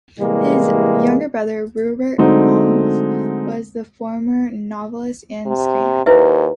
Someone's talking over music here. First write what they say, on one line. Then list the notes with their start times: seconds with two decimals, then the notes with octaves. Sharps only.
His younger brother, Rupert Hughes, was the famed novelist and screenwriter.
0.19 A2 C3 E3 G3 G#3 A#3
2.18 D3 F#3 G#3 A3 C4 D#4
5.47 C3
6.06 D#2 E4 B4 E5